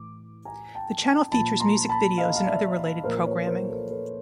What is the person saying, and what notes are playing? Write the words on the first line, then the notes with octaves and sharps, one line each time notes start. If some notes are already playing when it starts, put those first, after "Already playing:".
The channel features music videos and other related programming.
Already playing: A2 E3 D6
G#5 A#5
G5 A5
G5 A5
A#2 F3 A5 B5
A#5 C6
A5 B5
D#5 F5
F5
D5 E5
A#2 F3 A#4 C5
B4 C#5
A#4 C5
A4 B4
A4 B4